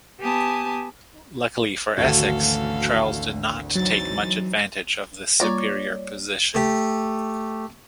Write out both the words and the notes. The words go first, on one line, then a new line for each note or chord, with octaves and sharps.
Luckily for Essex, Charles did not take much advantage of this superior position.
B3 G4 G#5 A5 D#6
G#1 D2 E3 A3 C#4 F#4 A4 F5
E3 F#3 C4 D#4 A6
G3 A#3 F4 C#5 D5 A#5
A3 G4